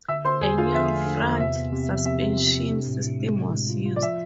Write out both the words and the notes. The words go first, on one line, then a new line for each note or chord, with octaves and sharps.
A new front suspension system was used.
D3 E5 E6
D3 C5 C6
E2 G#4 G#5
D3 F4 F5
F3 E5
A3
D3
E2
C3 E5
B3
C3
F3
C3 E5
C3
C3
C3
D4
A2
A2
G#3
G#3
A2
F4
F4
D5
F3 E5